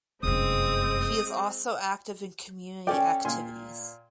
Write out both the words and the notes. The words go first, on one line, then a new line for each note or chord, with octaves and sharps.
He is also active in community activities.
F1 F#2 G#3 C4 D#6
C#4 A4 D5 G5
A#2 G#5 C6